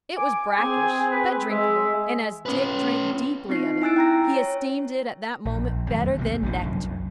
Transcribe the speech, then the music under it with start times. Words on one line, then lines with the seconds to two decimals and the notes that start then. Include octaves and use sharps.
It was brackish, but drinkable, and as Dick drank deeply of it he esteemed it at that moment better than nectar.
0.17 G#5 D6
0.55 C4 G#4 G#5
1.11 B4
1.50 G#3 E5
2.46 C#4 B4
3.49 C4 D#4 F4 C7
3.82 E4 G#5 E6 F#6 A6 D7
3.96 G5 A#5 A#6
4.35 C#5
5.45 A#1
5.90 F2 D#3 F#3 A3
6.17 B1 C3 F#3 A#3
6.42 F1 A#1 D#3
6.63 C2 F#2